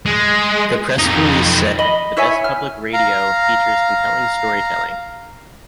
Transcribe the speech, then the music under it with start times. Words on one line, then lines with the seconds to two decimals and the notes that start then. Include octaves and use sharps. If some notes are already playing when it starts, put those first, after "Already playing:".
The press release said, The best public radio features compelling storytelling.
0.06 G#3
0.98 F2 D#4
1.79 D#5 B5
2.17 E4 C#5 E5 G#5
2.44 F6
2.94 F5 A#5